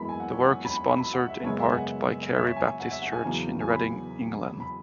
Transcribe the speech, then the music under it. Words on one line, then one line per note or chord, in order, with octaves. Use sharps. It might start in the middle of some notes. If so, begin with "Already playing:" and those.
The work is sponsored, in part, by the Carey Baptist Church in Reading, England.
Already playing: F#2 E3 G#3 B3 B5
G#5
F#5
C#5
F#5
B5
B5
B5
B5
F#5
E5
B4
F#2 C#3 G#3 B3 C#5
E5
G#5
F#5
E5
C#5
E5
G#5
F#5
E5
F#5
G#5
E2 C#3 F#3 B3
G#5
B5
B5